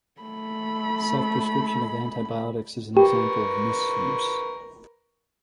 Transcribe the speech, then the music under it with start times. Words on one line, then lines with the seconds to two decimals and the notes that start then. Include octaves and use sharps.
Self prescription of antibiotics is an example of misuse.
0.21 A3 B5
2.97 G4 A#4 B4 C#6